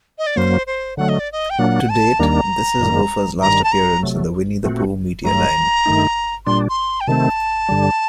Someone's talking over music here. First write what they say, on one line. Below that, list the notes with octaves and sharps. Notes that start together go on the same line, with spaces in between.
To date, this is Gopher's last appearance in the "Winnie the Pooh" media line.
D#5
D5
F#2 F#3 A#3 C5
C5
D3 F#3 A3 F#5
D#5
D5
D#5
G5
A#2 F#3 A#3 D4 F#5
A5
D#2 D#3 G3 A#3 D4 A#5
F#2 D#3 G3 A#3
G2 D#3 G3 A#5
A5
A#5
C3 F#3 A3
A#2 A3 C4 F#4
G2 F#3 A3 A#5
G2 D#3 A3 D#4
A#2 G3 D4 C6
C6
G5
C3 D#3 A3 C4 A5
G2 D3 G3